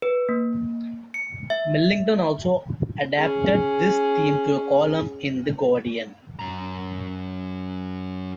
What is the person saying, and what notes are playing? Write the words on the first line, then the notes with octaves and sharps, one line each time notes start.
Millington also adapted this theme to a column in "The Guardian".
B4
A#3
C#7
E5
C#4 G#4
F#2 A#5